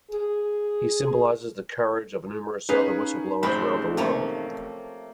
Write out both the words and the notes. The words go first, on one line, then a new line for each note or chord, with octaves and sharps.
He symbolizes the courage of numerous other whistleblowers around the world.
G#4
B3 C#4 D#4 G#4 B4 F5 B6
A1 C3 G#3 C5 B5
C3 F3 A3 A#3 C#5